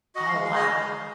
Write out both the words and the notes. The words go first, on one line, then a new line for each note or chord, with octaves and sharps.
Oh, wow.
F#4 D#5
G#3 F5
F5
G#3 D#5